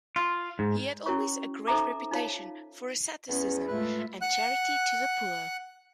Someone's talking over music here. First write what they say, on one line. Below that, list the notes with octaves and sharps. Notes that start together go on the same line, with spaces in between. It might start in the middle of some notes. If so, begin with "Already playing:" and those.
He had always a great reputation for asceticism and charity to the poor.
F4
G#2
C#4 E4 F#4 A#4 C#5 C#6
D#4 A4 C5 E5 A#5 D6
D#4 F4 C#5 F5 A5
E2 B3 C#4
A2 G#3 A3 F4 B4 E5
F#5 F#6